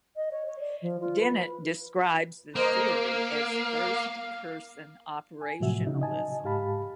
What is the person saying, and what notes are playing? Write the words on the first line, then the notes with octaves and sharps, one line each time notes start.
Dennett describes the theory as "first-person operationalism".
D#5
C#5
C#5
D5
F3
F4
B4
A#3 C5 D#5 A#5
F5
G#5
A2 C3 F3 F#3 F#4 E5
C#3 D#4
D#5 G#5 A5
G#2 G4 F5 A5 B5